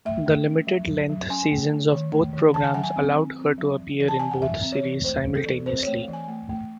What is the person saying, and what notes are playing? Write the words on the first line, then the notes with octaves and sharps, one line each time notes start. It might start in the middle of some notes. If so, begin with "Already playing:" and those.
The limited-length seasons of both programs allowed her to appear in both series simultaneously.
A3 E5
A3
C#4
F#3
F#3
F#3
C#4 G#5
A3
A3
D#3
A3
D#3
D#3 A5
G#5
F#3 F#5
G#5
C4
C4
C4
F#3
E3
E3
A5
E3 G#5
F#5
E3 E5
C4
C#5
E3
A3 C5
C4
A4
E3
C4 C5
A3 C#5
E3
G#5
A3
A3